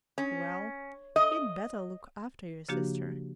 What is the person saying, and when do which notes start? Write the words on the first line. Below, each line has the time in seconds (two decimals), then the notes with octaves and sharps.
Well, he'd better look after your sister!
0.18 C#4
1.16 D#5
2.69 C#3 F3 A#3 D4 F#4 G4